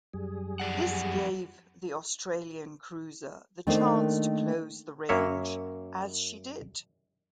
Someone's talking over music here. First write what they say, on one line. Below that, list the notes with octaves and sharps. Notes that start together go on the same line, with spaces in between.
This gave the Australian cruiser the chance to close the range, as she did.
F#2 G3 G#4
F2 D5 F#5
D#3 A3 A#3 C4 D4 D#4
F#2 A#3 C#5 E5